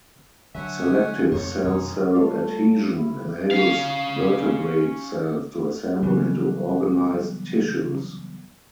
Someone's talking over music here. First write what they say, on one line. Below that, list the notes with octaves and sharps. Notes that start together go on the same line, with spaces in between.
Selective cell-cell adhesion enables vertebrate cells to assemble into organised tissues.
D3 F#3 C#5 E5 F#5 G#5
F2 C3 A3 C#5
F2 B2 D#3 G#3 D#4
G3 A3 F4 C#5
E4
C#4 F5
C#3 E3 F#3 G3 B3